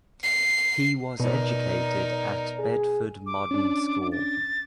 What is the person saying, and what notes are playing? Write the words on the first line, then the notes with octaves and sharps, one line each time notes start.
He was educated at Bedford Modern School.
C7
B2 D#4 A#4 D5
G#4
D6
C#4 D4
A6